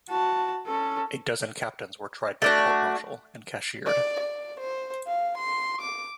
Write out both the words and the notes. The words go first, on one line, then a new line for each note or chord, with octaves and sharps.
A dozen captains were tried by court-martial and cashiered.
F#4 A5
C#4 A4
A3 D4 F#4
D5
D5
C5
F5
C6
D6